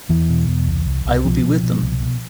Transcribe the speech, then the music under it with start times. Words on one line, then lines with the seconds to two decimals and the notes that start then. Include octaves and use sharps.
I will be with them.
0.09 E2 E3
0.29 B2
0.48 E2
0.67 C2
0.86 C2
1.05 C2
1.25 B2 F3
1.43 B2
1.63 B2
1.82 C2
2.00 B2